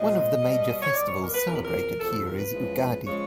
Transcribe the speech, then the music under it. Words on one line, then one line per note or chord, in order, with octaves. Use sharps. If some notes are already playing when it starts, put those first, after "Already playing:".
One of the major festivals celebrated here is Ugadi.
Already playing: A#2 F3 G#3 D#5
B2 G3
C#5
B2 G3 D5
C#5
A#4
B4
E2 C3 F3 A#4
B4
A#4
E2 C3 F3 A4
A4
A#4
B4
E2 C#3 F3 G#3
C#3 F3 G#3 C#5